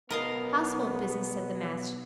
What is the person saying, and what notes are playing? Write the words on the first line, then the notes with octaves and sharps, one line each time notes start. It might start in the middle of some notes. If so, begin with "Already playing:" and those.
Household business, said the Master.
B1 B3 A#4 D#5 F5